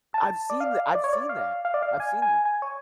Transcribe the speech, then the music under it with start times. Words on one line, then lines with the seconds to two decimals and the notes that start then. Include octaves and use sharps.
I've seen tha I've seen that. I've seen that.
0.14 A5
0.50 D5
0.60 F5
0.95 D5
1.04 C#5
1.13 D5
1.29 F5
1.65 F5
1.74 D5
1.82 F5
2.00 G#5
2.22 G#5
2.45 G#5
2.62 C#5